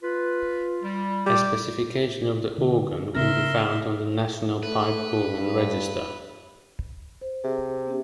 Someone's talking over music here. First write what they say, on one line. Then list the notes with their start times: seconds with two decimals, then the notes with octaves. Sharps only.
A specification of the organ can be found on the National Pipe Organ Register.
0.03 F4 B4
0.83 G3
1.26 G3 G4 D6
2.58 D3
3.15 C#3 C4 D4 A#4 E5 C6
4.63 A3 B4
5.21 G2
7.21 C5
7.44 C3 G#4
7.86 B3 C#4 G4